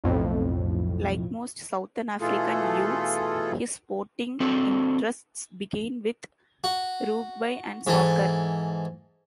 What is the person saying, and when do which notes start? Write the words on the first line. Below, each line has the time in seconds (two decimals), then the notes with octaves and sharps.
Like most Southern African youths, his sporting interests began with rugby and soccer.
0.04 B1 F2 A2
2.21 B2 E3 A3 F4 G#4 A4
4.40 C4 D4 F#4 A4 C5
6.64 F#4
7.87 G#2 E3 A4